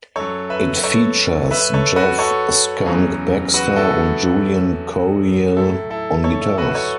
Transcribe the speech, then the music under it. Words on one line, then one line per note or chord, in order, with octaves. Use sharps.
It features Jeff "Skunk" Baxter and Julian Coryell on guitars.
F#2 F#3 A4 C#5
B4 E5
A4 C#5
B4 E5
A4 C#5
F#4 B4
A4 C#5
E2 C#3 F#3
F#4 B4
E4 A4
A2 F#3 E4 A4
E4 A4
A4 C#5
E4 A4
F#4 B4
A4 C#5